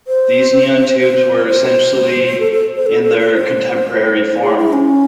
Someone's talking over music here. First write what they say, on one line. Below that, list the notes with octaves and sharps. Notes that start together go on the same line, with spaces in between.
These neon tubes were essentially in their contemporary form.
C5
C5
C5
A4
A4
C5
A4
A4
A4
C5
C5
G#4
E4
C#4